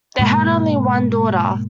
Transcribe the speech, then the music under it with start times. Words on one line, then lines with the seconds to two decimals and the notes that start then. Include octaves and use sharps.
They had only one daughter.
0.19 G#2 B2 G#3 A#3